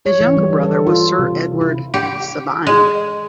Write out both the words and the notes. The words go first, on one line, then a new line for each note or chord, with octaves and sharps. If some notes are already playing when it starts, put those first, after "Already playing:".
His younger brother was Sir Edward Sabine.
C#5
E3
G3
A4
F4
C3
E4
G4
G#3